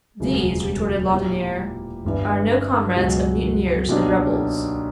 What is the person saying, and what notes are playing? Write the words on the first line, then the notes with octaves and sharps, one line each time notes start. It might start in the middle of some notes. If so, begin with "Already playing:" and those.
"These," retorted Laudonniere, "are no comrades of mutineers and rebels."
E1 D2 C#3 F#3 A#3
A#2 A#3 E4 G4
G1 G2 E3
C#2 B2 F#3
B1 B2 A#3 D4 G4